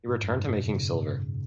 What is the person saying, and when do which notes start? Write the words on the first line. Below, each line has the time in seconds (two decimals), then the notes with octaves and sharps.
He returned to making silver.
0.08 G#2
0.23 F#2
0.37 G#2
0.51 B2
0.66 C#3